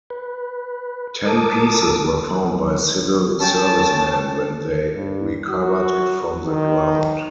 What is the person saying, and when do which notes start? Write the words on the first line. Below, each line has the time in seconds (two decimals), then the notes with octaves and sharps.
Ten pieces were found by civil servicemen when they recovered it from the ground.
0.10 B4
1.25 A4 A#4 A5 D6 D#6
3.40 C#4 G5 A5
4.95 G2
5.49 F#4
6.47 D#3